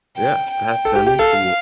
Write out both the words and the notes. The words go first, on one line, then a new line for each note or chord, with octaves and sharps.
Yeah, that that makes a lo
G5
G5
A4
G4
G4
A4 F5